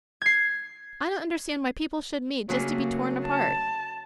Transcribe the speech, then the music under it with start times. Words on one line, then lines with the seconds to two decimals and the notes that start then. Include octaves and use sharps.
I don't understand why people should meet just to be torn apart.
0.22 G#6 C7
2.49 C#3 F#3 A3 A#3 D4 G4 G#4
3.26 A5